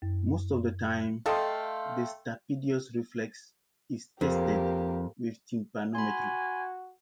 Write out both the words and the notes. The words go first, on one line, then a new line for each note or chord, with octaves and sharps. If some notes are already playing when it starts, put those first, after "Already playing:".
Most of the time, the stapedius reflex is tested with tympanometry.
F#2
A3 A4 D#5 F5 G5 C6
F2 A#3 G4
F#4 G#5 B5 C6